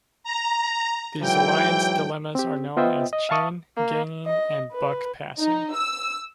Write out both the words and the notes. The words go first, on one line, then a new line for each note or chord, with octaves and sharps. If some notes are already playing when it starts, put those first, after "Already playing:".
These alliance dilemmas are known as chain ganging and buck passing.
A#5
G#2 E3 F#3 G5
C4 G4
B3 F4 C5 D#5 E5 G5
D#5
E5 F5 A5 C#6 D#6
A#3
D#5
B4
D#4
E6